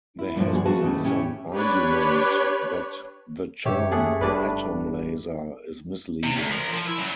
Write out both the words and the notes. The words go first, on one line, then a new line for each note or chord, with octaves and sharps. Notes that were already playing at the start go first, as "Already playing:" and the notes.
There has been some argument that the term "atom laser" is misleading.
E4
G2 A#2 D3 E3 F3
F#4 G#4 C#5 F#5
F#4 B4 E5 F5 A5
D#2 A2 C#3 A3 C#4
A2 C#4 E4 G4 C#5
D4 G4 B4 C#5
F#2 G4 C#5 E5
A3 G#4 F#5
F#1 G2 D4 B4
C3
D2
F3 A#4
F3
E4
C#3 F#3